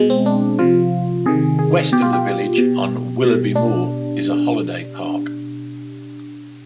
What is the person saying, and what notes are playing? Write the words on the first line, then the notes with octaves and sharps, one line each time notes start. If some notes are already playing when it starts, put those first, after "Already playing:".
West of the village on Willoughby Moor is a holiday park.
Already playing: B2 G#3
C4
D4
C3 F3 F4
C3 D#3 G#4
G#4
B2 G4
F4
G4
B2
B2
D4